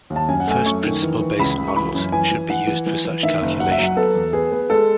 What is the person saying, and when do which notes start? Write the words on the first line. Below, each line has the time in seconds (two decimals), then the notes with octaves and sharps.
First-principle based models should be used for such calculation.
0.10 D#2
0.16 A5
0.28 F#2 G#5
0.40 F#5
0.47 A3 G#5
0.66 F#2 C#6
0.84 D#3
1.03 E3
1.21 E3
1.39 C#2 B5
1.58 C#2
1.68 C#6
1.76 E3 B5
1.94 F#2
2.12 E3 G#5
2.31 E3
2.50 E3 F#5
2.67 E3
2.86 E3
3.05 E3
3.23 D#3 E5
3.41 F#1
3.59 F#3 F#5
3.71 E5
3.78 F#3
3.83 F#5
3.96 B3 A4
4.15 E2
4.33 B3 G#4
4.52 B3
4.70 G#3 A4